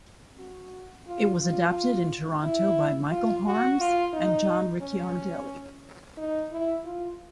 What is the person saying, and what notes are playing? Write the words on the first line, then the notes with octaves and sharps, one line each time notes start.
It was adapted in Toronto by Michael Harms and John Ricciardelli.
F#4
F4
F4
E4
F4
F#4
F4
D#4
C#4
D#4
E4
F4